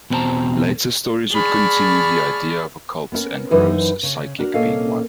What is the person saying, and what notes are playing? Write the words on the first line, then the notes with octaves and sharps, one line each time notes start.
Later stories would continue the idea of Occult and Rose Psychic being one.
E2 B2 C4 C5 A5 A#5
G#4 D5 A5 B5 C#6 F6
B3 C#4 E4 A#4
F#2 E3 D#4 E4 B4 C5
C#3
D4 F#4 A#4
A#2 A#3 C#4 A4 D#5 F5